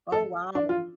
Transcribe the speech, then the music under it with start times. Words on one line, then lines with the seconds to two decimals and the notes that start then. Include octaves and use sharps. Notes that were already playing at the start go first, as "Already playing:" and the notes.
Oh, wow.
0.12 A4
0.55 D4
0.69 F4